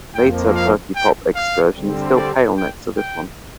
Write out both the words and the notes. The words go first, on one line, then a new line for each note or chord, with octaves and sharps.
Later perky pop excursions still pale next to this one.
F2 F3 A#3 G5
F5
G5
F5
D3 G3 C4
D5
G5
G5